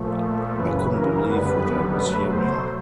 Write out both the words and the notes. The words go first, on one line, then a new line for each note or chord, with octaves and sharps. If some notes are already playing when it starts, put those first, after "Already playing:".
I couldn’t believe what I was hearing.
Already playing: A#2 F3 A3
F#2 C#3 E3 B4
A#4
F#2 D3 G3 B3 B4
B2 F#3 A3 B4
C5